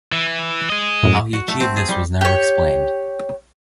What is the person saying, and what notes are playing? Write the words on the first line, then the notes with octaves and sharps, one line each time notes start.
How he achieved this was never explained.
E3
G#4 D#5
F#2 A2
F#4
A3
C4
G#4
G3
G4 C#5